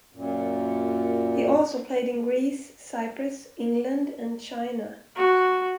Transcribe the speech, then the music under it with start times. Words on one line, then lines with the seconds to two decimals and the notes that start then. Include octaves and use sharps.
He also played in Greece, Cyprus, England and China.
0.14 F#2 A#2
5.16 F#4